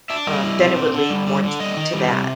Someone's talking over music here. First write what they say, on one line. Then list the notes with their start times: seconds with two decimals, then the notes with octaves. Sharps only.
um, then it would lead more t to that.
0.10 D4 E5
0.27 G3 D#5
0.44 E4
0.60 C4
0.76 D3
0.93 D3
1.10 G3
1.27 D3
1.43 D3
1.60 G3 D#5
1.77 D#3
1.93 G3
2.11 C3